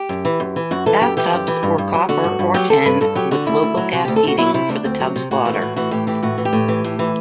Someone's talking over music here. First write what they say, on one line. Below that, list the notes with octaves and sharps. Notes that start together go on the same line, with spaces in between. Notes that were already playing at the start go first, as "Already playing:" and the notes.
Bathtubs were copper or tin, with local gas heating for the tub's water.
Already playing: G4
F#2
E3
F#2
E3
F#2 F#4
E3 A4
F#2 G4
E3 G4
F#2
E3
G2
G2
F#3
D3 F#4
G2
G2
F#3 G4
D3 A4
G2 B4
G2 A4
F#3 G4
D3 F#4
D2 E4
D2
F#3
C3 F#4
D2 G4
A4
D2 F#4
F#3 E4
C3 E4
D2 D4
D2 C4
F#3
C3
A2 F#4
E3
F#4
A2
E3 F#4
A2 G4
E3 G4
A2 F#4
E3
G4
A2
E3
A2
E3